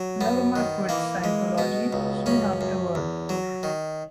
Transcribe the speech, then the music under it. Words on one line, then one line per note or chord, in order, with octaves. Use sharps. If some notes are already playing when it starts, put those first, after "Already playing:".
Lerma quit Scientology soon afterward.
Already playing: F#3
F#2 B3
D#3
E3 A#3
G#3
B2 B3
C#2
F#2 C#4
F#2
E2
F#3
D#3